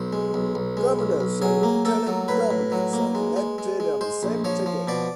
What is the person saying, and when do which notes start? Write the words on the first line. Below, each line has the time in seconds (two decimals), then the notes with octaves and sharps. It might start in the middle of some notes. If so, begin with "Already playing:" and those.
Governors and lieutenant governors are elected on the same ticket.
Already playing: B1 C5
0.13 G#3
0.34 B1
0.55 B1
0.77 G#3
0.99 B1
1.20 B1
1.42 F#3 G#4
1.63 A#3
1.85 A#3 A4
2.07 F#3
2.28 A2 B4
2.51 A2
2.72 F#3
2.93 A#3
3.15 G#3
3.36 G#3
3.58 G#3
3.80 G#3
4.01 G#3 C5
4.23 A#1
4.44 F3 C#5
4.66 F3
4.88 B2 D5